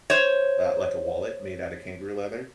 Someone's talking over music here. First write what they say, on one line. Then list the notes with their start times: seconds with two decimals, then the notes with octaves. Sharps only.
uh like, a wallet made out of kangaroo leather.
0.10 C5 C#5